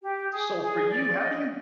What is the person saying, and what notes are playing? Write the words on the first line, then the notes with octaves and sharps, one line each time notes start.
So, for you, how do you
G4
G#4
G#4
D5
D#5